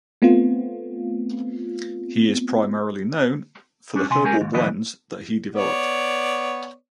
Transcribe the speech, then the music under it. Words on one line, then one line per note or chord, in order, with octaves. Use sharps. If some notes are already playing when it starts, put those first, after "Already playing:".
He is primarily known for the herbal blends that he developed.
A3 B3 C4 F4
G3 C#4 D4
C3 G#5 C6
G#3 C#4 G4 G#4 A#4 G#5
D#2 G#2
F#2 A#2 D3 E3 B4 D#5
B3 C#5 D5